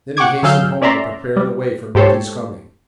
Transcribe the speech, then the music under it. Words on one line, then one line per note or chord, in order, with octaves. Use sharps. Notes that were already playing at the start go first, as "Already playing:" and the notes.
Then he hastened home to prepare the way for Minty's coming.
F#5 G5 C#6 D6 G#6
D3 F#3 G#4 F5 E6 G6
C#4 D5 E5 A#5 C6
G3
G#2 G4 A4 C5 C#5